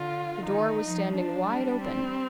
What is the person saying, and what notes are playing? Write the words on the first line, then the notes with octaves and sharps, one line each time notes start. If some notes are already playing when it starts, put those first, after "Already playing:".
The door was standing wide open.
Already playing: D3 F4
D#3 D#4
F3
D4
G3
C4